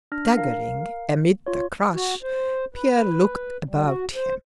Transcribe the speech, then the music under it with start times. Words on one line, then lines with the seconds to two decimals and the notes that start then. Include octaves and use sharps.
Staggering amid the crush, Pierre looked about him.
0.12 D4 F6 A#6
0.37 A#4 F5
1.46 F4 C#5
1.94 F#4
2.22 C5
2.74 B4
3.69 G3
3.84 F#4
4.15 C5